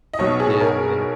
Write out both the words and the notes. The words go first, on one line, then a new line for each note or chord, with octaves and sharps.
Yeah, yeah.
D#5
B1 B2 F#3 C#5
G#4
A#4